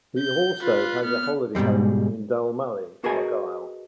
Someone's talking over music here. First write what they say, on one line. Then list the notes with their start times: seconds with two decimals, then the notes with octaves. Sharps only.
He also has a holiday home in Dalmally, Argyll.
0.19 G6
0.62 F4 B4
1.04 B3 F6
1.55 G#2 B2 D3 G3 G#3
3.04 F#4 G#4 A#4 B4 D#5 G#5